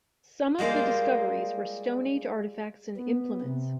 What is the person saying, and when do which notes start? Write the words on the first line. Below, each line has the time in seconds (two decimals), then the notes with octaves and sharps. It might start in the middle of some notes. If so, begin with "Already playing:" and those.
Some of the discoveries were Stone Age artifacts and implements.
0.59 G3 G#3 A#3 F4 C5
2.96 B3
3.41 C3